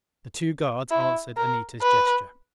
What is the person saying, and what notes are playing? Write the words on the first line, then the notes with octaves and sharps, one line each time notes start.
The two guards answered Anita's gesture.
E4
A#4
B4